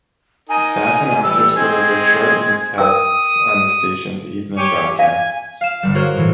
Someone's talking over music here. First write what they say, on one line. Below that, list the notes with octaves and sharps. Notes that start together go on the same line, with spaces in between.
Staff announcers delivered short newscasts on the station's evening broadcasts.
D#4 A#4 G#5
E3 G3 E6
G#3 C4 G#5 G#6
A#4 G5 D#6 E6
G4 C#5 G#5
F5 G#5
F5 E7
G1 G3
F#4 G#4 A#4 C5 C#5
A2 E3